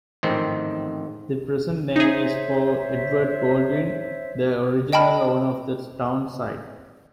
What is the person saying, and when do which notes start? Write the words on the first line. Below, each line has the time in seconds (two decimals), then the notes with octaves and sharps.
The present name is for Edward Baldwin, the original owner of the town site.
0.23 A1 F2 G#2 D#3 C4
1.96 D#4 G#4 C5 C#5 E5
4.93 D#5 G5 A5 B5 F6